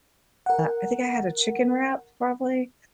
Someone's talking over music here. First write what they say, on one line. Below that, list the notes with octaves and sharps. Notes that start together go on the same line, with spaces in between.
I think I had a chicken wrap, probably?
A#4 F#5